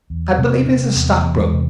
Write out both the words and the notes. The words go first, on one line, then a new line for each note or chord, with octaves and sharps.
I believe he's a stockbroker.
E2
C3 C4
C3 C#4
E2 B3
A#3
E2
G#3
C3